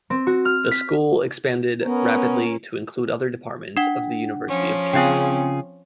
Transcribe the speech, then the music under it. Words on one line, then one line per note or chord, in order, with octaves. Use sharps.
The School expanded rapidly to include other Departments of the University of Kent.
C4
F#4
F6
B6
B3 C#4 A#4
D4 F#5
F3 C#4
C#3 C4 F4 G#4 G5